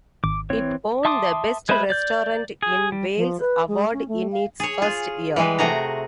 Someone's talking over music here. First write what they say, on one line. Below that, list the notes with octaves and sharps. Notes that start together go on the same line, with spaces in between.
It won the "Best Restaurant in Wales" award in its first year.
G#1 D6
E3 C4 C#5
E5 A5 C6 D6 D#6
G#3 B4 C5 E5 B5
D5 G6
G#4
G3
F3
B4
G#3
C#4
A3
F5
G#4 C#5
F4 G#4
E3 G3 G#3 G#4 B4
C3 A3 F#4 G#4 A#5